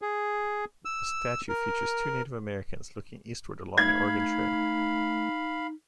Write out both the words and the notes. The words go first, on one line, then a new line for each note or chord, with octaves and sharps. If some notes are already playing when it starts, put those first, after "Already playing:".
The statue features two Native Americans looking eastward along the Oregon Trail.
G#4
E6
A#4
A3 D#4 F5 B5 G#6